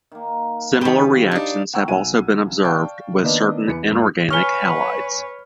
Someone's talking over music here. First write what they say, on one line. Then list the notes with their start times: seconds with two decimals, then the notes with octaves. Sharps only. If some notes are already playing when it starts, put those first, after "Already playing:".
Similar reactions have also been observed with certain inorganic halides.
0.12 D#3 A#3
0.81 D#3 F3 G3 F#4 G4 B4
1.31 D4 D#4
1.74 F#5 G5 A#5 C#6 E6
1.88 B1 F#5 G#5 D#7
2.63 D5 F5 G5 A5 C#6
3.23 D#3 A#3 B3 D4 B4 D#5
3.68 E2 B4 C#7
3.91 G#2 F4
4.31 B4 C#5 G#5 C#6 F6 G7